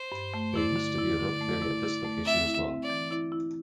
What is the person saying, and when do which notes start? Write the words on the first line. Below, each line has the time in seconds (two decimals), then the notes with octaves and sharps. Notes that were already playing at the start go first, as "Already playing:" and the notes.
There used to be a rope ferry at this location as well.
Already playing: C5
0.12 G2
0.34 A3
0.54 E4 D5
0.76 D3
0.98 E4
1.19 D3
1.41 A3
1.62 E4
1.83 E4
2.04 A3
2.25 C4 E5
2.47 E4
2.68 C4
2.83 D5
2.90 E3
3.11 E4
3.32 E4